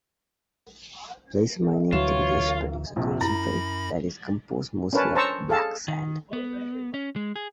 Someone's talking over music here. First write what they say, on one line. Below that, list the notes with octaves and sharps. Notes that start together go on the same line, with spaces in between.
Placer mining activities produce a concentrate that is composed mostly of black sand.
D2 E3 F#3 F4 C#5 E7
A#1 C3
F#2 E4 A#5 B5 A#6
C#4 D4 A#4 B4 C#5 A5
C5 A5 A#5 C#6 E6
G#4 A4 F5 A5
D#3
B3
C#4
G#3
G#4